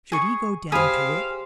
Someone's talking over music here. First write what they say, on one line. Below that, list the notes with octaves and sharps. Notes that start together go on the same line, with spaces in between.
Should he go down to it?
G#4 C#6
G4 G#4 C5 F5 B5 D#6